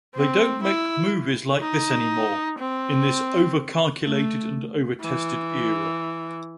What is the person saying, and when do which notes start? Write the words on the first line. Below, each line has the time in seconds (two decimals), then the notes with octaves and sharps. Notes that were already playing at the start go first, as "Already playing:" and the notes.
They don't make movies like this anymore, in this overcalculated and overtested era.
0.15 C4
0.63 E4
1.61 D#4
2.58 C4
4.04 A3
5.01 E3